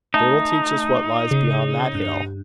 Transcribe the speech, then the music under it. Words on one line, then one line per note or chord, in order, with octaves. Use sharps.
They will teach us what lies beyond that hill.
A3 D#4 A5
C#3
G2